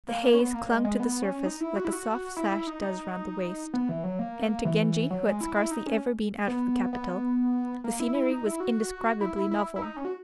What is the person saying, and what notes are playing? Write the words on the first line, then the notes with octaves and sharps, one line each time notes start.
The haze clung to the surface like a soft sash does round the waist, and to Genji, who had scarcely ever been out of the capital, the scenery was indescribably novel.
A#3
A#3
C#4
B3
A#3
G#3
G#3
B3
C#4
D#4
E4
F#4
E4
F#4
E4
E4
D#4
D#4
B3
E3
F#3
A#3
E3
F#3
G#3
E4
E4
D#4
C#4
B3
B3
A#3
E4
E4
D#4
E4
F#4
E4
E4
E4
E4
D#4
C#4
F#4